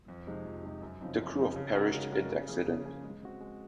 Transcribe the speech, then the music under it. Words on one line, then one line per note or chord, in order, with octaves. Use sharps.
The crew of perished in the accident.
F2
C3 F3 G#3 D#4
F2
C3 F3 G#3 D#4
F#2
C#3 F3 C4 D#4
F#2
C#3 F3 C4 D#4
C#3
G#3 C#4 F#4 A#4
C#3
G#3 C#4 F#4 A#4
C#3
F3 A#3 C#4 G#4
C#3
F3 A#3 C#4 G#4
G#3
C4 F#4
G#3